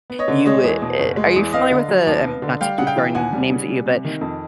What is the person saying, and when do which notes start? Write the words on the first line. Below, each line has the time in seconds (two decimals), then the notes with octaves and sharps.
you, eh eh, are you familiar with the, um, not to keep throwing names at you, but
0.10 B3
0.19 C#5 D#5
0.28 D3
0.46 G#3 C#5 D#5
0.64 E2
0.82 B2
0.99 F#1
1.17 G#3
1.36 E2
1.53 B3 D#5 F5
1.71 D3
1.88 F#3
2.07 D#2
2.24 B3
2.42 D3
2.61 G3 F5 G5
2.78 C#3 F#5
2.87 F5 G5
2.96 E3
3.15 D#2 F#5 G#5
3.33 G3
3.50 C#3
3.68 G3
3.86 C3
4.05 D#3
4.21 F2